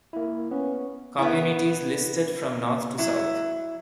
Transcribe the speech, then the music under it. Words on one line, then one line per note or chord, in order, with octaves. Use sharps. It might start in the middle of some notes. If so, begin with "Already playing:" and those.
Communities listed from north to south.
A#3 E4
B3 C#4
B3 E4
F#3 E4